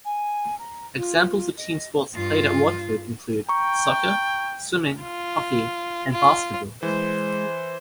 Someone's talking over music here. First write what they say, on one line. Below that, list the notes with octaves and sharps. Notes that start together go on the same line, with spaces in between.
Examples of team sports played at Waterford include: soccer, swimming, hockey and basketball.
G#5
A#5
F4
D#5
G2 F4
G5 A#5 C#6
F4
F4
E3 G#3 C5